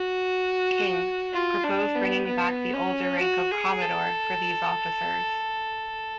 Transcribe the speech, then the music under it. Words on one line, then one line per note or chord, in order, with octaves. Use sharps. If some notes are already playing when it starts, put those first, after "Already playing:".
King, proposed bringing back the older rank of "commodore" for these officers.
Already playing: F#4
F4
D4
B3
B3
C#4
F#4
G#4
A4